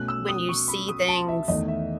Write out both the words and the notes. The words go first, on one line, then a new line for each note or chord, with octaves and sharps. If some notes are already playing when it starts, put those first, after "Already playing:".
when you see things
Already playing: B2 A3 C#4 F#6
E6
D#6
C#6
B5
D#6
A5
E5
E2 D#3 A3 D#5
E5